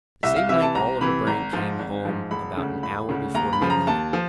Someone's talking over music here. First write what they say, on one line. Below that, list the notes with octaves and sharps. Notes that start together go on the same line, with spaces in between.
The same night Oliver Brand came home about an hour before midnight.
C2 E5
F5
C3 E3 E5
A5
C2 A#5
C3 E3 B5
G#1 A#5
G#2 F3
G#1
G#2 F3
E1 B5
D2 C#3
E1 B5
D2 C#3
D#2 A#5
B5
C#3 F3
A#5
D#2 A5
F3